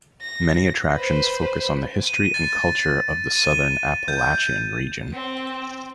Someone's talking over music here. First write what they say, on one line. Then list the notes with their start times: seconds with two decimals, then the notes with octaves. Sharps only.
Many attractions focus on the history and culture of the Southern Appalachian region.
0.22 A#6
0.95 B4 C5
2.07 D#7
2.34 A6
3.36 D#7
4.08 G6
5.12 C4